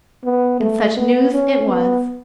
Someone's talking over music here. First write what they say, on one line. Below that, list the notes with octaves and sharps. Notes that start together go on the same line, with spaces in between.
And such news it was!
B3
A3
B3
C#4
B3